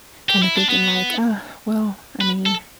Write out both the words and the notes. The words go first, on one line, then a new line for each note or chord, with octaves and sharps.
kinda thinking like, "Uh, well," I mean,
G4
E4
D4
B3
B4
A4